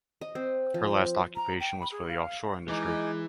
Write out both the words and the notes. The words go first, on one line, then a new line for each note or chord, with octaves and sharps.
Her last occupation was for the offshore industry.
D#5
C4
F3
A#5
G5
B5
G#4
F5
E3 G#3 D#4 G#5 D6